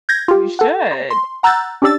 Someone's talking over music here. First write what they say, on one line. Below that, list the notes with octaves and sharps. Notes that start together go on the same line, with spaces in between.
You should.
G6 G#6 A#6
F4 G4
A4 F#5
C6
F#5 A#5 E6 F#6 G6 A6
C#4 D4 G4 D5 E6 A6